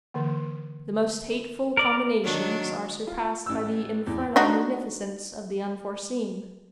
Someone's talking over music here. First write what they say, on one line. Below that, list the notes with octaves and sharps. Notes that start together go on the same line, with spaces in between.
The most hateful combinations are surpassed by the infernal munificence of the unforeseen.
D3 E3 A#3
A#4 D5
D#3 F#3 D4
F4
A1 E6
E2
D4 D#4 F#4